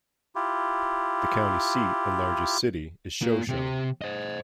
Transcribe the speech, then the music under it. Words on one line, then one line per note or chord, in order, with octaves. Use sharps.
The county seat and largest city is Shoshone.
E4 F4 G4
A#3 F4
C3 G4
C5 D#5